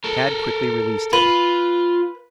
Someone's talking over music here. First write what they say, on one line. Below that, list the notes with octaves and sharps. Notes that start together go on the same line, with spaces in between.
Tad quickly released him.
A4 A#4
F4 B4